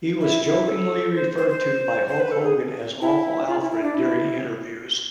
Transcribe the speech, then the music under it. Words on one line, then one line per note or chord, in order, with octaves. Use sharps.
He was jokingly referred to by Hulk Hogan as "Awful Alfred" during interviews.
E4
E4
A4
C5
C5
C5
C5
B4
A4
G#4
E4
F4
E4
E4
D4
E4